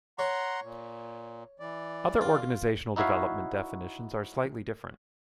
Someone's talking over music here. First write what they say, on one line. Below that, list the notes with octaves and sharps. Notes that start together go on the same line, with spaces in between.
Other organizational development definitions are slightly different.
C#5 F#5 A#5 C6
A#2
E3 D5
F4
D#4 E4 F#4 C#5 E5 F5